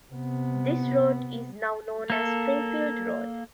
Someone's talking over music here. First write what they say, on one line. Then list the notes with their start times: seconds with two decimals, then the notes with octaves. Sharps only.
This road is now known as Springfield Road.
0.13 C3 B3
2.10 A#3 A4